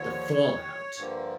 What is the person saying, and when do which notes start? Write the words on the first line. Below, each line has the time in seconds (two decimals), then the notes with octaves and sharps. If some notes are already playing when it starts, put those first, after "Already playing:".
the fallout.
Already playing: D#2 D3 F3 C#5
0.96 G2 D3 F3 A#3